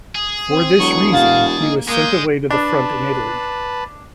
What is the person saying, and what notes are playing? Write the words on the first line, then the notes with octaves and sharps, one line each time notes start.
For this reason he was sent away to the front in Italy.
G#4
C4
E1 F#3 C#6
F#4 F5 A6
A#3 D#4
G#3 A#3 D#6 G6
D4 B4 A5 B5